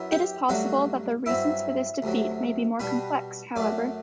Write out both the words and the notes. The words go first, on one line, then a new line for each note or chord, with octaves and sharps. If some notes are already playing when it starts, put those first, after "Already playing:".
It is possible that the reasons for this defeat may be more complex, however.
Already playing: F#2 F#3 B3 E4
G4 G5
G2 F#3 A3 D4 F#4 F#5
G2 F#3 C4 E4 E5
D2 C3 F#3
B2 G3 D4 B4 B5
F#2 F#3 A3 D5 D6